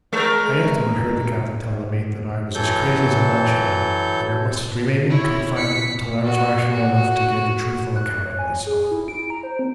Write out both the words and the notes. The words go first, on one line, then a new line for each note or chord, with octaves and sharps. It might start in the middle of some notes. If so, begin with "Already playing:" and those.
I afterward heard the captain tell the mate that I was as crazy as a March hare, and that I must remain in confinement until I was rational enough to give a truthful account of myself.
G#3 A#4
E3 F#3 A4 G6
E4 C#5
B6 C#7
F#4
F#4
F#6
C#5
G#5
G#4
E4
D7
A#5
C5
C4